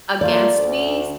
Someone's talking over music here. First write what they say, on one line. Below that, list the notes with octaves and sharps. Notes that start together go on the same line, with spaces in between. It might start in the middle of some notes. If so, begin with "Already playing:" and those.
against me s
A3 A#3 F4 D5
D2